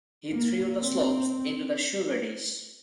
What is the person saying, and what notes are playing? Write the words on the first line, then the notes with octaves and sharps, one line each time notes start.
He threw the slops into the sugar-dish.
A#3
C4